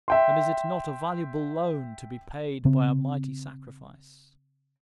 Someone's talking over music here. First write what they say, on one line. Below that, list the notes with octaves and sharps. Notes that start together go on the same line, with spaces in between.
And is it not a valuable loan to be paid by a mighty sacrifice?
E5 G5 C6
C#3 C4